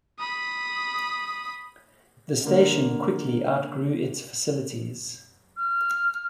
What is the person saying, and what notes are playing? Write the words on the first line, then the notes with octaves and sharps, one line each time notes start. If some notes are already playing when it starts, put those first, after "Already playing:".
The station quickly outgrew its facilities.
B5 D#6
D3 A#3
F6